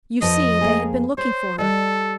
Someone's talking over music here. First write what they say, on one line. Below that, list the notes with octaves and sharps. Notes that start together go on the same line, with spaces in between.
You see, they had been looking for her.
F2 F3 B4 D#5
F2 A#3 G#4
C5 C#5
G3 A4 D5 D#5